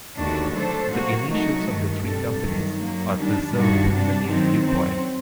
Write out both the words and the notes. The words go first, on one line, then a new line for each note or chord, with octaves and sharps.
The initials of the three companies are preserved in the name Lukoil.
D#2 D3 A3 D4 F#4
F#3 A3 D4 A4 C5
C3 F#3 A#3 F#4
F#3 A3 D#4 F#4
G2 D#3 A3
C3 G3 D4 A4
G2 D#3 F#3
F#2 F#3 A#3
D#3 G3 D4
G2 D#3 G3 D4 F#4
C3 G3 D4
D#3 F#3 C4
F#2 F#3 C4